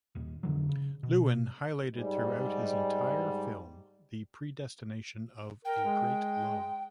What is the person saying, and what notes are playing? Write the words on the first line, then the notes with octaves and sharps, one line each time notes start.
Lewin highlighted throughout his entire film the predestination of a great love.
D#1 D#2
F2 D3 F#3
C#3
B2
G#2 G3
A#4 G5
G#3